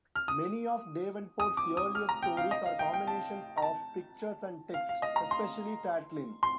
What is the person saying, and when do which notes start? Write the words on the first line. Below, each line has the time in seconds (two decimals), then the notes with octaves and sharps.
Many of Davenport's earlier stories are combinations of pictures and text, especially Tatlin!
0.15 F6
0.28 D#6
1.40 D#6
1.57 D6
1.77 D#6
1.95 F6
2.09 A#5
2.23 G5
2.37 F5
2.51 D#5
2.66 F5
2.79 G5
2.94 G5
3.07 A5
3.57 A#5
3.62 A5
4.74 F5
4.89 F5
5.02 D#5
5.16 A#5
5.31 C6
6.43 C6